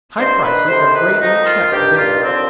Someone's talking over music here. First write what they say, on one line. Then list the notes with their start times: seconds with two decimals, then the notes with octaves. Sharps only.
High prices have greatly checked building.
0.18 G2 D#3 C5
0.42 B4
0.68 D2 C3 D#3 C5
0.94 B4
1.20 F2 D#3 D#4
1.46 F4
1.71 G2 D#3 G4
1.98 F4
2.23 D#2 D3 F3 C4